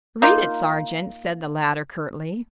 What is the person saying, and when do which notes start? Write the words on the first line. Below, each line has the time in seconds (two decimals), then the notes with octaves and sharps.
"Read it, sergeant," said the latter curtly.
0.22 A#3 D#4 F4